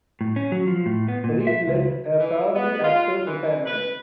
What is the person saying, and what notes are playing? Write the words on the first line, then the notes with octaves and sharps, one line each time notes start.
Reed led a fairly active retirement.
A2
C#4
F#3
F3
A2
B3
A#2
E5
C#2
E3
B3
F4
E3
B4